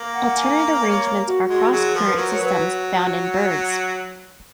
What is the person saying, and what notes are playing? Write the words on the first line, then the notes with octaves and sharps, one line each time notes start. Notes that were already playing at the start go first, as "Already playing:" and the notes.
Alternative arrangements are cross current systems found in birds.
Already playing: A#3
F#5
G#5
A#5
C#5
F#4
G#3 F#4
F#3 G#4
F3 A#4
B4
F#3 A#4
C#5
F#3 B4